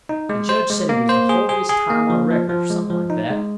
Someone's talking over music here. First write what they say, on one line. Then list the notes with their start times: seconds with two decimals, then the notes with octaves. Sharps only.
The judge said it was the holiest time on record, or something like that.
0.09 D#4
0.29 G#3
0.49 C5
0.70 G#3
0.89 A#3
1.09 C5
1.29 G#4
1.49 G#4
1.69 G#4
1.90 A#3
2.10 F3
2.30 F3
2.49 F3
2.70 G#3
2.90 F3
3.10 D#4
3.31 G#3